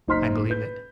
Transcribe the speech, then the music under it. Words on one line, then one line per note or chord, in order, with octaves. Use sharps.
I believe it.
F#1 D#4 C5 C6 F6 B6
B4 G6